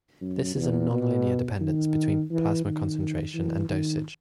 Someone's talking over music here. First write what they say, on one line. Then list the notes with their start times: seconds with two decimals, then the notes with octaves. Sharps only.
This is a nonlinear dependence between plasma concentration and dosage.
0.21 F#2
0.56 E2
0.90 B2
1.60 D#3
2.30 E3
2.65 D#3
3.34 E3
3.69 D#3